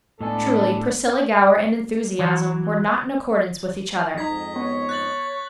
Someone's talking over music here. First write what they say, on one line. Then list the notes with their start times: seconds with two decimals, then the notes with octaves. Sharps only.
Truly, Priscilla Gower and enthusiasm were not in accordance with each other.
0.21 A2 G#3 B3 D4 A4 D#5 G#5
2.19 E3 F#3
4.18 F2 G#2 D#4 D#5 A#5 G#6 B6
4.56 B3 C#5
4.89 F#6 A6 F#7